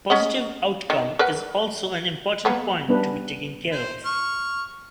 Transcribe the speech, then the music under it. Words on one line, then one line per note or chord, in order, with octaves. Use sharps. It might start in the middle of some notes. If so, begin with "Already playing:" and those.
Positive outcome is also an important point to be taking care of.
C#4 D#5 F#5
D#3
A#4 B4 F#5
A#3 B3 B4
G3 B3 C#4 D4 B4
C5
C#6 F6